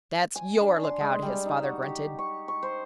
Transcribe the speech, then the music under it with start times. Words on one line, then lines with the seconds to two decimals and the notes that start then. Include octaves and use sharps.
"That's YOUR lookout!" his father grunted.
0.36 G#5
0.61 D4
0.83 C6
1.00 G#3
1.22 G3
1.45 D#4
1.63 F#4
1.82 G4
2.19 C#6
2.48 C#6
2.63 C5